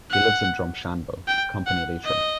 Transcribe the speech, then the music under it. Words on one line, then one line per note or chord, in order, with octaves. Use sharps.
He lives in Drumshanbo, Company Leitrim.
F#5
G5
F#5
D#5